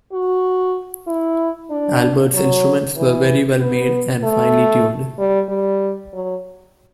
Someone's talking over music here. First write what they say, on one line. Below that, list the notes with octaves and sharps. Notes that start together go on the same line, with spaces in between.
Albert's instruments were very well made, and finely tuned.
F#4
E4
D4
F#3
E3
B3
A3
G3
G3
F#3